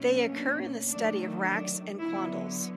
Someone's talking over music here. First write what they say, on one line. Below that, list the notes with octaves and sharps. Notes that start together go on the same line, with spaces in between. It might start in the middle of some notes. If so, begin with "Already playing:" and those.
They occur in the study of racks and quandles.
Already playing: B2 F#3 A#3 C#4
D4
D#3 F#3 A3 D4
D4
D3 F#3 B3 E4